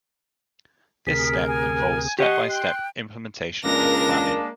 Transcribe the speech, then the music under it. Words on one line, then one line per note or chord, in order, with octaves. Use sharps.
This step involves step-by-step implementation and planning.
D2 C3 G#4 A#4 B6
G#5
G4 D#5 F#5 C6 C#6
G5 F#6
C#2 G#3 A#3 D4 A#4 A#6